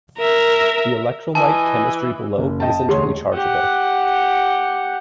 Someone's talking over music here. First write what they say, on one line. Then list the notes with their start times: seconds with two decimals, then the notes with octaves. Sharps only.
The electrolyte chemistry below isn't rechargeable.
0.17 A#4 E5
1.35 E3 D#5 G#5 A5
2.38 F#1
2.60 D#5 G5 A5
2.87 E1 D2 G#4 C#5 C6
3.33 G4 F#5